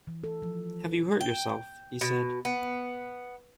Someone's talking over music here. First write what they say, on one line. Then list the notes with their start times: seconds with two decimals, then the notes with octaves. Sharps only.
Have you hurt yourself?’ he said.
0.07 E3
0.24 A4
0.42 F3
1.21 G5
2.01 B2
2.45 B3